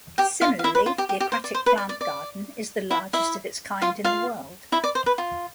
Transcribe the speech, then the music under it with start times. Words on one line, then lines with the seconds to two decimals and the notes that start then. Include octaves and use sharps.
Similarly, the Aquatic Plant Garden is the largest of its kind in the world.
0.18 G4 G5
0.41 F4 F5
0.59 F5
0.64 E4 E5
0.75 B4
0.86 F4
0.98 G4
1.09 G4
1.20 G4
1.32 C5
1.44 D5
1.54 C5
1.66 B4
1.78 D5
1.89 D5
2.01 D5
2.91 E4 E5
3.13 E4 E5
3.82 F4 F5
4.04 F4 F5
4.72 E4 E5
4.84 D5
4.95 C5
5.06 B4
5.18 F4